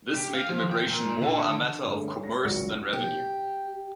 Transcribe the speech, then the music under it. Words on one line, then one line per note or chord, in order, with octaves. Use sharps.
This made immigration more a matter of commerce than revenue.
G4
F5
F3
G5
A#2
D3
G2 D3 G#3 A3
C#5
G3 A#6
G#1 C#2 F#3 F#4 A#6 C#7
G4